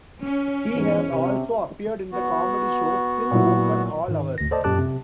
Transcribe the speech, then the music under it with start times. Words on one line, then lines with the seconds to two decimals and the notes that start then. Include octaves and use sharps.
He has also appeared in the comedy show Still Open All Hours.
0.23 C#4
0.74 E2 G#2
1.10 C3
2.12 B3 F#4
3.31 A#2 F#3 E4
4.08 G#2 D#3
4.38 D2 A#6
4.51 A4 C5 D5 D#5 A5
4.64 F#2 A#2 G4 A5 D6 F#6
4.79 C3